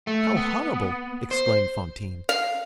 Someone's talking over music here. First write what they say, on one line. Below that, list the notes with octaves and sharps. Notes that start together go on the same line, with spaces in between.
"How horrible!" exclaimed Fantine.
A3
B3
C5
F5